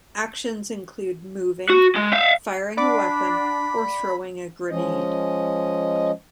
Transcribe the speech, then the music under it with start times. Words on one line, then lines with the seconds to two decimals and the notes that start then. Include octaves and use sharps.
Actions include moving, firing a weapon or throwing a grenade.
1.70 F#4
1.96 G#3
2.12 E5 F5
2.77 D4 D5 F#5 B5 D6
4.70 F3 G#3 C#4 D#5